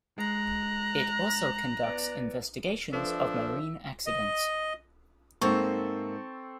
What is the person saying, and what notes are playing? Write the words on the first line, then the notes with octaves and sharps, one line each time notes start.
It also conducts investigations of marine accidents.
G#3 A#5 F#6
B3 D5
F3 D4 A4 B4 E5
D#5
G#2 A#3 C4 A4 E5 C#6